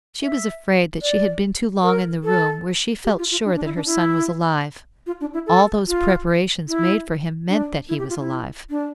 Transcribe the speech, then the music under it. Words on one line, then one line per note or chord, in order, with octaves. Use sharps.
She was afraid that she had been too long in the room where she felt sure that her son was alive; all those preparations made for him meant that he was alive.
E5
D5
A#4
A4
G4
F4
F4
D4
D4
E4
D4
E4
F4
D4
E4
A4
F4
E4
D4
E4
G4
F4
E4
D4